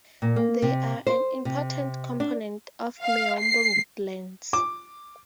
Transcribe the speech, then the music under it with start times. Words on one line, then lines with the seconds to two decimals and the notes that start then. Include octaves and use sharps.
They are an important component of miombo woodlands.
0.22 A#2
0.36 A#3
0.62 C3
1.07 C5
1.45 C3
2.20 D4
3.02 F5
3.39 C7
4.53 D6